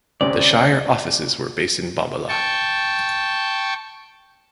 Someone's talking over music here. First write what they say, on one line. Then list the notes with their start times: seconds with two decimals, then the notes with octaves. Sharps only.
The shire offices were based in Bombala.
0.21 D2 C3 C#4 D5
2.28 G5 A5 C#6